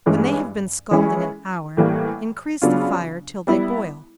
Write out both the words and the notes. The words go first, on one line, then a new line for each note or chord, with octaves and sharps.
When they have been scalding an hour, increase the fire till they boil.
G2 E3 G#3 C#4
E3 G#3 C#4 E4 G#4
A2 E3 G3 A#3
C#3 F#3 B3 D4 F4
G3 B3 E4